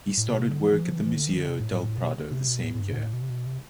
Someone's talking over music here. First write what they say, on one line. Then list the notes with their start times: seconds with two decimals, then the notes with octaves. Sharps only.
He started work at the Museo del Prado the same year.
0.17 A2
0.29 B2
0.39 C3
0.50 D3
0.61 E3
0.72 E3
0.84 F3
0.94 E3
1.06 E3
1.16 D3
1.27 E3
1.37 D3
1.49 C3
1.60 A2
1.71 A2
1.82 A2
1.98 B2
2.31 C3
2.48 B2
2.64 A2
2.75 A2
2.80 G2
2.92 B2
2.97 A2
3.13 B2
3.22 C3
3.30 B2
3.46 C3